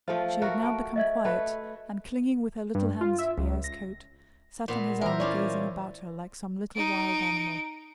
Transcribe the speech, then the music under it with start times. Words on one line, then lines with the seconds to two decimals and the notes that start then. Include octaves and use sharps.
She had now become quiet and, clinging with her little hands to Pierre's coat, sat on his arm gazing about her like some little wild animal.
0.08 F3 A3 F4 C5
0.42 A3 F#4 A#4
0.63 A5 D7
0.96 D#5 E5 G#6
1.25 A3 B4
2.75 G2
3.01 F4
3.19 E5
3.37 C#2
3.64 A#6
4.68 A#2 B3
5.01 E3 A#4 C5 E5 A#5
5.20 C#4 E4 F4 D5
6.75 D#4 D7